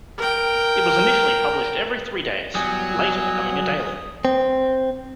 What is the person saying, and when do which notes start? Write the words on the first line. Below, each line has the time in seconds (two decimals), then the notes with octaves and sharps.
It was initially published every three days, later becoming a daily.
0.18 A#4 G5
2.55 E2 G2 F#3 G3 G#5 D#6
4.25 C4